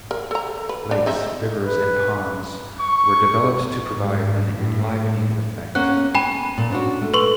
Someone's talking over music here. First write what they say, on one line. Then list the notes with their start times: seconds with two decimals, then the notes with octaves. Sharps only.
Lakes, rivers and ponds were developed to provide an enlivening effect.
0.11 A#4
0.31 A4 A#5
0.69 B4
0.91 D4
1.06 C4 D#4 E5
1.60 B4
2.80 C#6
3.90 G#2
4.51 A2
5.75 A#3 C#4 F#5 F#6
6.15 G5 G#5 B5
6.58 A#2
6.70 C#4 D4 F#4
7.02 A3
7.14 B4 C6 C#6